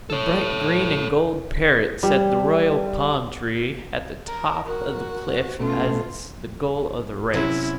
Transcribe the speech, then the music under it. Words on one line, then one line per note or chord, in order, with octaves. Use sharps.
The bright green and gold parrot set the royal palm tree at the top of the cliff as the goal of the race.
A4 C#5
G3
A#4
F#4 A#4
B2 A3 C#4 F4
C3 F#3 C#4 E4